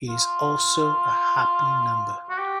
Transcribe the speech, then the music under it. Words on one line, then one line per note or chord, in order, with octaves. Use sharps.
It is also a happy number.
F4
F#4
G4